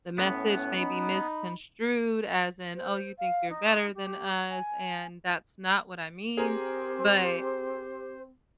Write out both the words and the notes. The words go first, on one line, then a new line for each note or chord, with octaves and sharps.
The message may be misconstrued as in, "Oh, you think you're better than us," and that's not what I mean. But,
A2 B3 C#4
D#4 B5
C5
F5
D#4
G4
G#5
C4 G4 G#4 A#4 C5